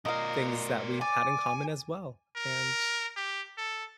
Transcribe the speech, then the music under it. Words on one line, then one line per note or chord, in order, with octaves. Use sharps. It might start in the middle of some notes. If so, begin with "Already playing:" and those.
things that we had in common as well, and
B2 A#4 D#5 F5
D5 G#5
A#4
G4
A4